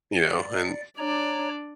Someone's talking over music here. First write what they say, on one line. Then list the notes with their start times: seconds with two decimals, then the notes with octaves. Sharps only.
you know, and
0.23 D5
0.98 D4 C#5 D5 A#5